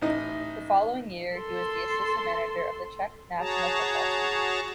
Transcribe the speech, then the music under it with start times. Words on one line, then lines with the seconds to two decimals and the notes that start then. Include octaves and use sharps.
The following year, he was the assistant manager of the Czech National Football Team.
0.02 A1 D#4 D#5
1.37 A4 C6
3.39 F#4 G#4 C#5 A5 A#5